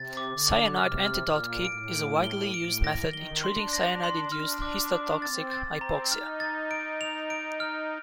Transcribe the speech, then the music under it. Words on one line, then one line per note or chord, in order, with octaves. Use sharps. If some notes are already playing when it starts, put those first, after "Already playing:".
Cyanide antidote kit is a widely used method in treating cyanide induced histotoxic hypoxia.
Already playing: C3 A6
D6
D3
D6
C3 F6
F6
A#2
F6
A2 D7
D7
G7
A2 D7
A#6
D#3
G7
D4 C6
A#6
C6
D4 F6
D6
D6
C4 A6
A6
C4
A#5
D#4 F6
A6
D7
F7
D7
F6